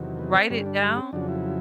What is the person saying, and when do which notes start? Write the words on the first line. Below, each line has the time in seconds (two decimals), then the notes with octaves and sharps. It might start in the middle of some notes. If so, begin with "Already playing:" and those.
write it down,
Already playing: E2 C3 D#3 F#3
0.19 B3
0.34 C4
0.50 G2 D3 G3 C#4
0.66 D4
0.97 C#4
1.12 F2 C#3 F#3 D4
1.28 E4